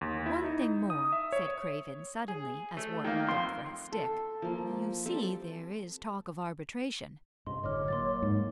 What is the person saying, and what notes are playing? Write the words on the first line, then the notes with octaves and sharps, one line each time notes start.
"One thing more," said Craven suddenly, as Wharton looked for his stick--"you see there is talk of arbitration."
D#2
E4
D#4
D#6
E5
C#5
G#4
A3
D#3 A#3
F2 C6
A4
F3 A#3
G3 C4 A4
G2 C3 D#5 C6
F#1 A2 D3 C#5 D#5 D6 F6
F#3 A#3 C6 D6 A6
G#2